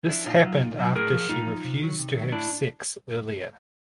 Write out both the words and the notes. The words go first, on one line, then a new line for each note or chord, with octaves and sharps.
This happened after she refused to have sex earlier.
F3 D4 E4
A#2 D#4 F4
F#3
A#2
F#3
A2 G#4 A#4
F3
A2 D#4 F4
F3
C3
D#3 F#3
C3
D#3 F#3
A2 D4 E4